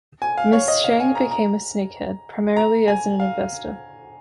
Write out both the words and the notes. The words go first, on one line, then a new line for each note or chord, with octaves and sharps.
Ms. Cheng became a snakehead, primarily as an investor.
G#5
F5
C#5
D#5
F5
G#5
A#5
A#5
A#5
G#5
F5